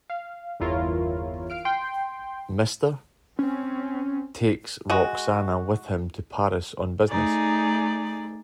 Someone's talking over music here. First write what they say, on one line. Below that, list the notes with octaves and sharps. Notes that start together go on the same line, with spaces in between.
Mr. -- takes Roxana with him to Paris on business.
F5
G1 E2 E4 F4 A#4 C#5
F5 F6 D7
G5 C6
C4 C#4
G#3 F#4
A3 D#4 G#4 D5